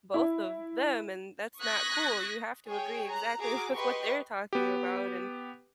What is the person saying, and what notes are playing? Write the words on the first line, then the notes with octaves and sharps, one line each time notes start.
both of them, and that's not cool. You have to agree exactly with what they're talking about in
E4
C#6 D#6 F#6 G#6 A#6 B6
G#4 C#5 G5
A#5 F#6
F#4 G#4 A#5 D6
G4 B4 D#5 C6 C#6
B3 G4